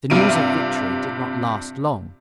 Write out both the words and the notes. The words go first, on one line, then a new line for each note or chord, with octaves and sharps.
The news of victory did not last long.
G2 C3 F4 E5 D7 D#7